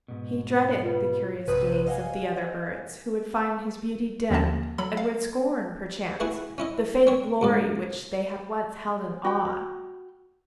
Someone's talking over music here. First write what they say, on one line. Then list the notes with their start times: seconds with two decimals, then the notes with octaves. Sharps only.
He dreaded the curious gaze of the other birds, who would find his beauty dimmed, and would scorn, perchance, the faded glory which they had once held in awe.
0.08 G#2 B2
0.83 F4 B4
1.47 A#1 G2 C3 B4 D#6 D#7
1.86 D#5 F5 F#5 G#5
4.30 D#2 D3 F3 A#3 C#4 A5
4.78 F#3 A4 B5
4.97 F5
6.20 A3 B3 E4 F#4 G#4
6.58 C#4 E4 D#5
7.07 C4 C#5
7.42 D2 G#2 D5
9.25 F#4 G5